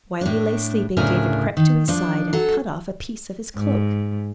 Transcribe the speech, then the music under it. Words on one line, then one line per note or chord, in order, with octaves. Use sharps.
While he lay sleeping David crept to his side and cut off a piece of his cloak.
A2 D4
D2 A2 C#3 D4 A#4 G#5
D#3
F3 D4
F#3 A4
G#2